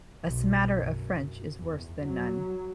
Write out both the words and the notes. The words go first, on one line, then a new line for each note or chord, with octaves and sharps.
A smatter of French is worse than none.
B1
F#2
E2
F#3